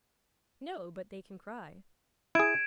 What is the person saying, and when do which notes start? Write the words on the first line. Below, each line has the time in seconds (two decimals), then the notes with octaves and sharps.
No, but they can cry.
2.35 E4 G#4 G#6 D7 E7